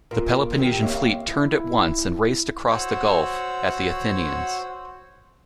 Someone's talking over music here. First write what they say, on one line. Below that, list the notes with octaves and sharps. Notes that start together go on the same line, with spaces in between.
The Peloponnesian fleet turned at once and raced across the gulf at the Athenians.
A#2 F4 A#4
D#3 C4 G4
A#3 C#5 E5 F5
E4
F#4 C5 C#5 F#5 E6